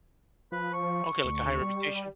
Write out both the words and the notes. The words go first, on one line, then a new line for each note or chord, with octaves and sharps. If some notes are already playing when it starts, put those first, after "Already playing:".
Okay, like, a high reputation?
F3 B4
C#6
D2
G3